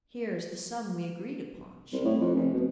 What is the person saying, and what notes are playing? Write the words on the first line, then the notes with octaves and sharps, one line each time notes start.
"Here is the sum we agreed upon," she added.
C2
A2
F2
F1
B2